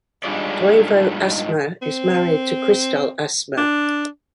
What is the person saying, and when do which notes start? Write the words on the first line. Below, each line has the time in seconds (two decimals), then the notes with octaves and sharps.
Toivo Asmer is married to Kristel Asmer.
0.24 G#2 G3 D4 F4 G#4 D5
1.82 C4
3.58 D4